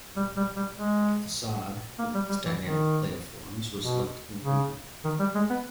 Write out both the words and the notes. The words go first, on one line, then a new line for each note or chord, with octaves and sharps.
The facade, with its dynamic play of forms, was left incomplete.
G3
G3
G3
G#3
A#3
G3
G3
E3
D#3
B2
C#3
D#3
G3
G#3
B3